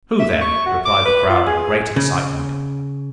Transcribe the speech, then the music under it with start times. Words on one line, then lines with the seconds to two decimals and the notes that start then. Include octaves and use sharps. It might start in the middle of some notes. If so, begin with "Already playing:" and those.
"Who, then?" replied the crowd in great excitement.
0.20 E5
0.41 C#6
0.66 F#4
0.86 D6
1.05 B4
1.30 F4
1.47 G#4
1.96 C#3